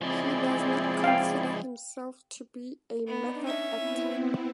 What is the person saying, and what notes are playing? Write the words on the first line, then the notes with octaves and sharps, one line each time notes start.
He does not consider himself to be a method actor.
F3 G#3 C4 E4 G#4 D5
F5 G5
B3 D4 D#4
C#4 E5
B3 C4 E4